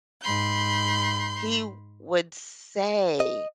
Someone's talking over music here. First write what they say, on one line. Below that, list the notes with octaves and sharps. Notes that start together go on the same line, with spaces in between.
he would say
G#2 B5 C6 G6
D#5